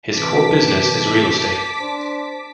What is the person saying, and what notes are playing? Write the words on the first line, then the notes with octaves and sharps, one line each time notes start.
His core business is real estate.
C3 E3 A5 D6 B6
D4 C5